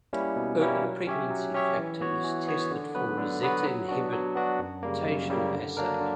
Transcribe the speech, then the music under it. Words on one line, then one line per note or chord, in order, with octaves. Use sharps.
Early pregnancy factor is tested for rosette inhibition assay.
G3 A#3 C#4 E4
B2
G3 A#3 C#4 E4
F#3
C#4 G4 C#5 E5
F#3
C#4 G4 C#5 E5
E3
B3 F#4 C#5
E3
B3 F#4 C#5
D3
F#3 B3 F#4 B4
D3
F#3 B3 F#4 B4
F#3
B3 D4 F#4
F#3
B3 D4 F#4
F#2
C#3 G3 A#3
F#2
C#3 G3 A#3
D3
F#3 A#3 D4 A#4
D3